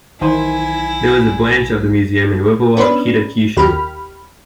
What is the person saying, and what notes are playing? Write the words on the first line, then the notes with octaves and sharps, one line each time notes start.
There is a branch of the museum in Riverwalk Kitakyushu.
B1 D#3 E3 E4 C5 G#5
B3 C#4 D4 B4
D#2 G4 B5 F6